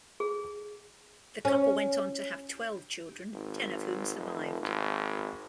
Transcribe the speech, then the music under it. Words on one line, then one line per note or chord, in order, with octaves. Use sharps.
The couple went on to have twelve children, ten of whom survived.
G#4
C#4
G#1
F1
G#1